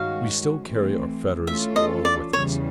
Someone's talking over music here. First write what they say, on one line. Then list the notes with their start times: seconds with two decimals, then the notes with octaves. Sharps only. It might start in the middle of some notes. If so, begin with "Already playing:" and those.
We still carry our fetters along with us.
Already playing: G2 D#3 G#3 C#4 F#4 F5
0.61 E3 A3 C4
1.47 E3 A3 C#4 F4 A4 E5
1.76 D#5
2.05 D5
2.33 E2 C#3 E3 G3 C#5